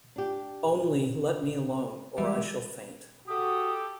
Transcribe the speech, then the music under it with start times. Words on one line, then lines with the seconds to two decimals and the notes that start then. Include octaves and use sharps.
Only, let me alone, or I shall faint.
0.16 D4 G4
2.18 E3 G3 G#3 E5
3.28 F#4 G4 A4 D#6